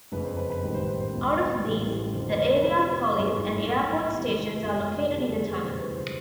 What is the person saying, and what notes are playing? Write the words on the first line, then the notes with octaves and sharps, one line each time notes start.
Out of these, the Aviapolis and Airport stations are located in a tunnel.
F#1 F2 C#3 B4
C5
B4
B4
A1 G#2 D#3 G3
C5
B4
C5
C#2 B2 F#3
A1 A2 E3 G3
F2 D3 F#3 C5
B4
A#4
F2 C3 F3 B4
C5
B4
G#1 G2 D#3 G#4
E4
D#4
D#4
B1 A2 F#3 E4
E2 C3 D#3 G3
F#1 E2 C3 F4
F#4
F#4
F2 D3 G3 G#4
G#4
B4
E1 D2 C#3 E3 G3 C5
B4
C5